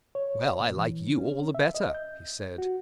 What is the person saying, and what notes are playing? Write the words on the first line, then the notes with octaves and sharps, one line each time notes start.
"Well, I like you all the better," he said.
C#5
A#2
E3
C#4
E5
D#5
G6
F#4